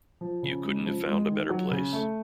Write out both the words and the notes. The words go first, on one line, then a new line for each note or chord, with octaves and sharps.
You couldn't have found a better place.
F3
C#3
G#3
F3
G#3
D#3
F#3
C#3
A3